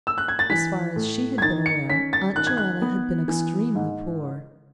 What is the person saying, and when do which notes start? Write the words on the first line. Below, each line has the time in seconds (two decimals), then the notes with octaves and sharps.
As far as she had been aware, Aunt Joanna had been extremely poor.
0.07 E6
0.18 F#6
0.28 G#6
0.39 A6
0.50 E3 B6
0.96 A2
1.38 G#6
1.42 D#3 A6
1.66 C#7
1.89 C#4 B6
2.13 A6
2.35 D#3 F#6
2.47 G#6
2.57 F#6
2.82 B3
3.28 E3
3.75 G#2